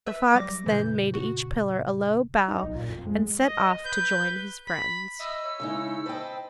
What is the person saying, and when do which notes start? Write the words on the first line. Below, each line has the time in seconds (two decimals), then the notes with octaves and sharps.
The fox then made each pillar a low bow, and set off to join his friends.
0.06 B4 E5 E6
0.35 F#3 G3 D6 A#6
0.66 F2 A#2 C#3 E3 G6
1.14 F#4
2.48 D#4
2.63 B1
2.76 A#2
2.89 F2
3.07 G#3
3.43 D#5
3.85 B4 G6
4.67 B5
5.20 D#5 E5 B5 E6
5.44 C#5
5.60 C#3 G#3 D#4 E4 C#5
6.06 C5 D#5 G5 A5 B5